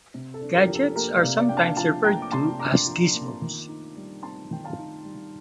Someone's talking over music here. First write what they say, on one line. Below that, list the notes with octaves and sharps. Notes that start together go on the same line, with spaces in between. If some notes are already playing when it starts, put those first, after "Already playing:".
Gadgets are sometimes referred to as "gizmos".
C3
A4
D4
G4 A#4
F3
A4
A#3 G4 A#4
D5 F5
C3
D5 F5
D4 G5
F5 A5
F3 F5 A5
A#3 G5 A#5
D6
C3 A5 C6
D4 A#5 D6
F3
A#3
D#3
D#4
G3
C4 A5 C6
D#3 G5
F5 A5
D#4
G3